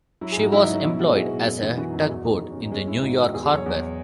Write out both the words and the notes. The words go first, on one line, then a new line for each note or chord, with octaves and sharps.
She was employed as a tugboat in New York harbor.
F#3 E4
G#2 G#4
F#4
F#3 E4
D#4
F#3
D#4
B2 E4
E4
G#3 F#4
G#3 G#4
B2
F#2
E3
E3 F#4
F#2 D#4
E4
E2 F#4
E2 D#4
E2 F#4
E2 C#4
D#4
G#3 C#4
G#3 E4
G#2 F#4
D#3
E2 G#4
G#4
F#3
C#5
E2